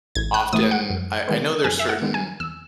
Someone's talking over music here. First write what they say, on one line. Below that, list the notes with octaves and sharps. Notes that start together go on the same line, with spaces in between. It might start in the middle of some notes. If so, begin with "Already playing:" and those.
often, I I know there's certain,
A1 G#6
F#6
A2 E3 A3 D#6
F#5
F#2
D#3 G#3 B3
F#2 G#5
E5
F#5
D#3 G#3 B3
G#5
E2 E6